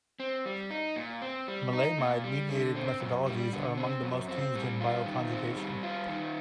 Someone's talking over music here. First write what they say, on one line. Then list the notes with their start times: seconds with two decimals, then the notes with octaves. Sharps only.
Maleimide-mediated methodologies are among the most used in bioconjugation.
0.20 C4
0.46 G3
0.71 D#4
0.96 A#2
1.22 C4
1.48 G3
1.73 D#4
1.98 A#2
2.24 G3
2.49 D3
2.75 C4
3.00 F#2
3.26 G3
3.53 D3
3.77 C4
4.03 F#2
4.29 C4
4.55 G3
4.80 F4
5.06 D#3
5.32 C4
5.57 G3
5.83 F4
6.08 D#3